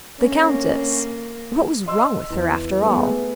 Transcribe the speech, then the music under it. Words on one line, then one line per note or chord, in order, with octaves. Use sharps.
The Countess--what was wrong with her, after all?
D3 A#3 C#4
D#5 C6 E6
E2
A3 B3 G#4